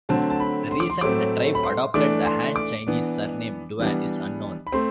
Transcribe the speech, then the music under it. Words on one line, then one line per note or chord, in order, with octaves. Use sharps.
The reason the tribe adopted the Han Chinese surname Duan is unknown.
D3 F#3 A3 C4 A5
A5
B5
C6
D6
C6
A2 F#3 A3 C4 D6
B5
C6
E3 A3 D4 D6
C6
D6
E3 B3 D4
E3 G3 B3 D4
B5
A3 C4 C6